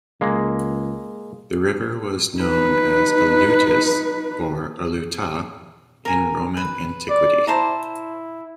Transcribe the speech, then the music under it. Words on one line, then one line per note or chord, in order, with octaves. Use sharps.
The river was known as "Alutus" or "Aluta" in Roman antiquity.
C#2 G#3 A#3
D#4 B4
A#4 G#5
B4
D5
E4 C5 A5 A#5